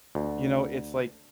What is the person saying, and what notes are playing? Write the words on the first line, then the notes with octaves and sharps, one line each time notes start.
you know, it's, like,
D2